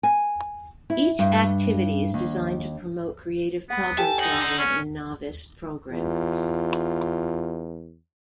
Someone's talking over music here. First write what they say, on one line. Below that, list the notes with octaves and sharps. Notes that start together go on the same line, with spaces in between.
Each activity is designed to promote creative problem-solving in novice programmers.
G#5
E4
G2
D#2
B3 F#5 B5
G4 A4 G#5 A5
D3 D#4 F#5
C#4 D5
E2 F4